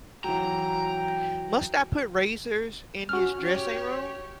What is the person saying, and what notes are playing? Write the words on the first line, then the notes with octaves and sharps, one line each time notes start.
Must I put razors in his dressing-room?
E3 F#3 G5 A#5
C#4 F#4 F6
G4 C#5